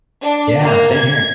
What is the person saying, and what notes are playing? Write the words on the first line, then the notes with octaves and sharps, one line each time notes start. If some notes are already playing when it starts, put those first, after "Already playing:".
Yeah, same here.
D4
A#3
G#6